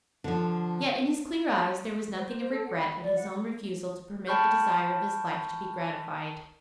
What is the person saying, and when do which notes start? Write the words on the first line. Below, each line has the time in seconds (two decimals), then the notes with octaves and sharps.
Yet, in his clear eyes there was nothing of regret at his own refusal to permit the desire of his life to be gratified.
0.24 D3 F3
2.15 C5
2.38 C5
2.52 A4
2.65 F#5
2.77 B5
3.02 D5
3.16 F#5
4.27 G5 A5 B5 C#6 F6 G6